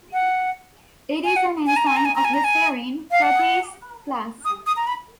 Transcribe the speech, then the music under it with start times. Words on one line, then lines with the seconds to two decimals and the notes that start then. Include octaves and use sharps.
It is an enzyme of the serine protease class.
0.13 F#5
1.25 G#5
1.36 F#5
1.67 G#5
1.76 A#5
1.87 G#5
1.96 A#5
2.05 G#5
2.16 A#5
2.25 G#5
2.34 A#5
2.44 G#5
3.11 F5
3.22 F#5
4.45 D#6
4.66 D#6
4.76 A#5
4.87 B5